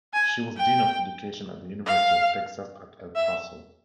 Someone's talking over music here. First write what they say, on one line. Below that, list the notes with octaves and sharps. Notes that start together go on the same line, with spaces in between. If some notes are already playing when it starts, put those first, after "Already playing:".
She was dean of education at the University of Texas at El Paso.
G#5
G5
F5
E5